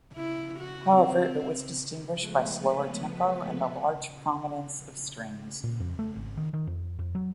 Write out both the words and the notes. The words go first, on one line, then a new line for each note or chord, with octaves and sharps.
However, it was distinguished by slower tempo, and the large prominence of strings.
E4
F#4
C4
F3 G#3 A3 B3 B4
A#2
F2
A3
G#1
D#3
D#3
F2
F2
F#3